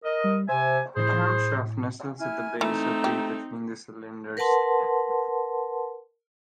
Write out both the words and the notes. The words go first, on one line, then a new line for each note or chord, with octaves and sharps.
A camshaft nestles at the base of the V between the cylinders.
A#4 D#5
G3
C3 C5 E5 G#5
A2 E4 G#4 C5
E4 G#5 F6
E3 A3 C4 D#4 A#5
G4
A#4 B4 F#5 A5 C6